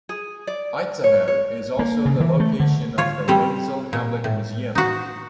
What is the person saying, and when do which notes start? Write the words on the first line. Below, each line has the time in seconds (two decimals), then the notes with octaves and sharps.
Itzehoe is also the location of the Wenzel Hablik Museum.
0.09 G#4
0.47 D5
1.04 C#5
1.28 C#5
1.79 A#3
2.06 C#3
2.20 E3
2.40 A3
2.60 D3
2.98 F4 C#5
3.28 G3 C4 A4
3.93 A#2
4.24 A2
4.75 D#4 F#4